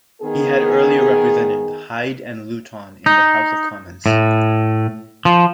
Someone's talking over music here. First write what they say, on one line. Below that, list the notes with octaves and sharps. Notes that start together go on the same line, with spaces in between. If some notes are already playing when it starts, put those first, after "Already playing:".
He had earlier represented Hyde and Luton in the House of Commons.
D#3 B3 G#4
D#4
A2
F3